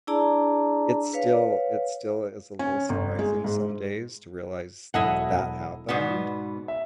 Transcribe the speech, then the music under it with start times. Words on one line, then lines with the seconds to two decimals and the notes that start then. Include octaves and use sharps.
it's still it still is a little surprising some days to realize that happened,
0.07 D4 E4 G#4 D5 A5 A#5
1.14 B4 C#5 F5
2.59 C#4
2.89 G1
3.19 G#3
3.44 G#2
4.94 E1 F#3 E4 A4 D#5 F#5
5.89 G#2 B2 B3 D5
6.68 E5